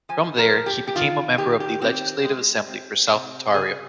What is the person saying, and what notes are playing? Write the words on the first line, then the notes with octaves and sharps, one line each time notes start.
From there, he became a member of the Legislative Assembly for South Ontario.
F3 G#5
A#4
F3
G4
G4
D#3 F4
D#3 G4
G4
C4 G4
G#3
C4
C3
C#3 G#4